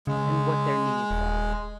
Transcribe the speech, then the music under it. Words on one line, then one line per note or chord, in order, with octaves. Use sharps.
and what their needs are.
C#3 G#3
D#1